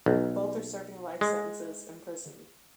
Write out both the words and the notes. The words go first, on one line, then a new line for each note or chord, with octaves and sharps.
Both are serving life sentences in prison.
B1
G#3